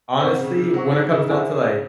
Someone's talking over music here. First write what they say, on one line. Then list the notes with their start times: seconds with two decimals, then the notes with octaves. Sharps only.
honestly, when it comes down to, like,
0.20 C3 C5 F#5 C#6
0.39 C#3
0.56 D#3
0.74 F#3 C5 F#5 C#6
0.92 D#3
1.11 C#3
1.28 E4 C5 E5 G#5 C#6